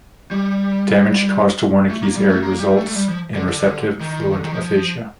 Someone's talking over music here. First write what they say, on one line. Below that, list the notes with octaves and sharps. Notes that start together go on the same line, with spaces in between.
Damage caused to Wernicke's area results in receptive, fluent aphasia.
G3
A3
A#3
G3
A3
A#3
G3
A3
A3
G3
F3
D3
D3
D#3
D3
D#3
F3